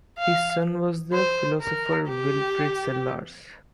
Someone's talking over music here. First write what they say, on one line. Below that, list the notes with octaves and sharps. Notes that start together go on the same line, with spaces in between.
His son was the philosopher Wilfrid Sellars.
F5
C5
A#4
G4